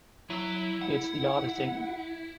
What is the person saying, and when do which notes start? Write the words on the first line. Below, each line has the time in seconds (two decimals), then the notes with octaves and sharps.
it's the oddest thing.
0.30 F#3 E4
0.81 F#5